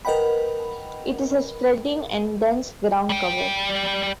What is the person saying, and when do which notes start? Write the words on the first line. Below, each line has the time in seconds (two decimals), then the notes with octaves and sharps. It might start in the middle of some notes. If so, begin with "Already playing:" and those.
It is a spreading and dense ground cover.
0.05 A#4 B4 D#5 F#5 G5 B5
3.10 G3 G5